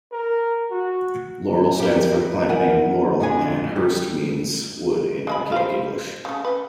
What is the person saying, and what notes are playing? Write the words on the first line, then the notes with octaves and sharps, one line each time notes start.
Laurel stands for the plant name Laurel and hurst means wood in archaic English.
A#4
F#4
G4 A#4 E5
B4
A#4 E5 F#5 G#5
F2 D3 G#5
G3
G#3 G#5 B5
C5 F5
C#3 A3
B4 G5